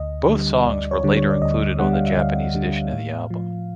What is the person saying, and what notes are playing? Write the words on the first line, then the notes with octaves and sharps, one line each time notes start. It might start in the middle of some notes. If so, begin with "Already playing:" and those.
Both songs were later included on the Japanese edition of the album.
Already playing: D2 D#5
D3 G3
D2 D5
C#5
D3 G3
C#5
D5
D2 D#5
D3 G3 F#5
F5
E5
D2 F5
D3 G3
A2
F3